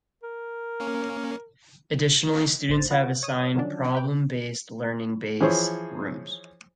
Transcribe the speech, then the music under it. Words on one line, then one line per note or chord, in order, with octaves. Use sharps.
Additionally, students have assigned problem-based learning base rooms.
A#4
A#3 C#4
A1 C5 A6
F4 G#4 B4 F#5
C#5 D#6
D3 D#3 F3 F#3 C#4 D4
B4 G5
E3 F3 G#4 C5 C#5